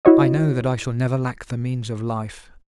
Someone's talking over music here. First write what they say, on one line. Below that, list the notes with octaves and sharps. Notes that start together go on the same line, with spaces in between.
"I know that I shall never lack the means of life!"
E4 F#4 C#5 D#5